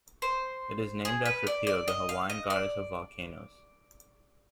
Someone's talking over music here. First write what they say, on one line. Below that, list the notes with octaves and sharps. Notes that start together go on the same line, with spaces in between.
It is named after Pele, the Hawaiian goddess of volcanoes.
C5
G#4
B4
D5
D5
D#5
F5
D#5
D5